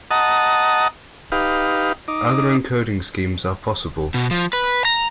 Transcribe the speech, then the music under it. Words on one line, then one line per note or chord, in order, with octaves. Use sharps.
Other encoding schemes are possible.
D#5 F#5 A5 A#5 D#6
D#4 G4 B4 F5
D#4 D6
B2
F3
B4
A#5